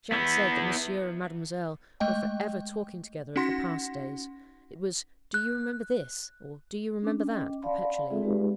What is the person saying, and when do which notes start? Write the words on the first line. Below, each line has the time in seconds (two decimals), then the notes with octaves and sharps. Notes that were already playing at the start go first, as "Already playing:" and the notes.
Jacques said that Monsieur and Mademoiselle were for ever talking together of the past days,--it was 'Do you remember this?' or, 'Do you remember that?' perpetually.
0.12 B3 E4
2.00 G#3 A3 D#5 G5
3.36 C#4 D#4 F#4 F#5 C6 A#6
5.34 F#6
7.03 C#4 D4 D6
7.27 C#4 D#5 G5
7.62 D5 F5 F#5 A5 B5 C6
8.10 G#3 C4 F4 G#4 A4 E5
8.22 G#3 D#4 G4 G#4 B4